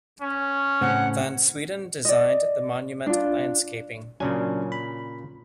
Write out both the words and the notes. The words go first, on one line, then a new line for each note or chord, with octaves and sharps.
Van Sweden designed the monument landscaping.
C#4
A2 C#3 C4 F#5
D5 D#5
D4 F4
A#2 C#3 F#3 C#4 D4 G#5
B5